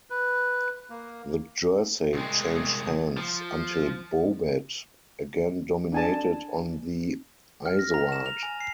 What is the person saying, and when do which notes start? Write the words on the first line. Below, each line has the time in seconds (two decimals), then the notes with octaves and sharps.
The jersey changed hands until Bobet again dominated on the Izoard.
0.10 B4
0.90 A#3
2.14 C2 G#3
3.17 F3
5.92 D4 G#5 A5
7.66 F6
7.79 A#6
7.94 A#5
8.12 E7
8.26 F7
8.43 G#5
8.61 C7